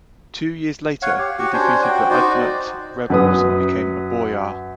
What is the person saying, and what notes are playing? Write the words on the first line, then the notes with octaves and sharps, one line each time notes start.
Two years later, he defeated the Udmurt rebels and became a boyar.
C#5 F5 F#5
G4
F#4 G4 F#5
C#4 D4 C5 C#5
F#4 G5
D#4 F#4 C5 D5
F#2 B4 D#6